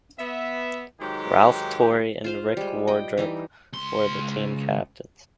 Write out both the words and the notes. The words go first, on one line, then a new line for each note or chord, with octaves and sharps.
Ralph Turri and Rick Wardrop were the team captains.
B3 E5
G#2 D#3 F#3 G4
F4 C5 F5
G3 G#3
D#5 G5
E3 G3 D#4
C#2 C6